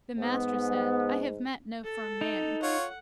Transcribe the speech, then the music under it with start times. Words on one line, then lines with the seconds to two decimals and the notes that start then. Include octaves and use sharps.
The Master said, I have met no firm man.
0.17 G#2 B3
1.84 A4
2.21 D#4
2.62 F4 C#5 F#5